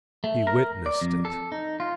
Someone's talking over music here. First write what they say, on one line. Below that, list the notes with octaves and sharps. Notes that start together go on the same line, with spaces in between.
He witnessed it.
A3
A#4
D5
F2
A4
D#4
F4